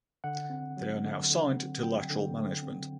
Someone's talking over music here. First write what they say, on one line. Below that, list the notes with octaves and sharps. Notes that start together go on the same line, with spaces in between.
They are now signed to Lateral Management.
D3 F#5
C4
F#3
D3
D3
C4
F#3 G5
D3
D3
C4